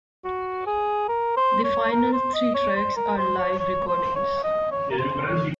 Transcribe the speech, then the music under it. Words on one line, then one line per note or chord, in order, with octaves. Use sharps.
The final three tracks are live recordings.
F#4
G#4
A#4
C5
C#5
A#4
C5
D#5
C#5
C5
A#4
C5
C#5
C#5
C5
C#5
D#5
C#5
A#4
C5
C#5